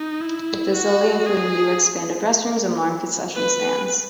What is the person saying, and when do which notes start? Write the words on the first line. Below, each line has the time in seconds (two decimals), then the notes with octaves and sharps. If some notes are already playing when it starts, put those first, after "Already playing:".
The facility included new expanded restrooms and larger concession stands.
Already playing: D#4
0.21 E4
0.74 F#4
1.26 G#4
3.34 B4